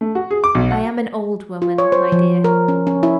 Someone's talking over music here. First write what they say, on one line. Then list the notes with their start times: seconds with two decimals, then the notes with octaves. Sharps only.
I am an old woman, my dear.
0.01 A3
0.15 F#4
0.31 G#4
0.44 D6
0.55 B1
0.71 F#5
1.62 F4
1.78 C#5
1.92 C5
2.12 F3
2.44 A#4
2.68 C#4
2.87 C#4
3.03 E4